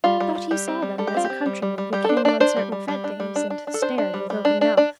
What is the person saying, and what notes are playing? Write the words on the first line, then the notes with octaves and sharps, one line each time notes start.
But he saw them as a countryman who came on certain fete-days, and stared with open mouth.
G3 F4
G3
G3
G3 G4
C4
G3
G3 A4
G4
C4 F4
G4
C4
G3
G3
G3
G3 G4
D4 A4
C5
D4 D5
D4 C5
G3
G3
G3
D4
G3
D4
D4
D4
A4
D4 C5
D4
G3
G3
D4
D4
D4 D5